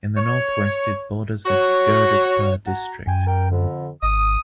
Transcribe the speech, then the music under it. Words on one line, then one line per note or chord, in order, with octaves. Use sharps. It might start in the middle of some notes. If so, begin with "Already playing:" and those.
In the north-west, it borders the Gurdaspur district.
C#5
F#4 C#5
F#4 F#5 A#5
F#2 G5 G#5
A#4 G5
F2 D3
G#1 D#6